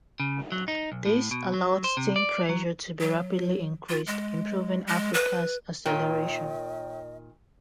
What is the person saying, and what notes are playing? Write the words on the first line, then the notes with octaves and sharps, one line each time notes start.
These allowed steam pressure to be rapidly increased, improving "Africa"s acceleration.
C#3
F#3
D#4
B1
A2
B2
F#3
C5
C3
D5
F#3
F#3
F4
G#3
G#3
B4
A#2 D#3 C#5 D#5 G5